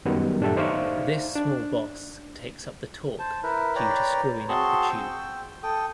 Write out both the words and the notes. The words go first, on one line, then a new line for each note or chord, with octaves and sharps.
This small boss takes up the torque due to screwing up the tube.
F#2 D#3 F#3 G3 B3
A2 D4 G4 A4 E5
D#4 C5 D5 E5 F5 C#6
D4
C5 A5
E4 A#4 B4
B4 C#5 D5 G5 A#5
C4 F#4 G#4 A5 C6 C#6
G5 E6
A4 G5 D#6